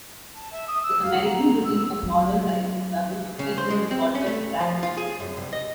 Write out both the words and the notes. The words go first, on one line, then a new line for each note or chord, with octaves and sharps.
The American release of "Modern Life Is Rubbish" features an altered track listing.
A5
E5
D#6
E6
F5
A#5
E6
F#3
C#3
C5
G#3
C4
C#4
A3
F3
F4
G#4
F#2
C2
D#5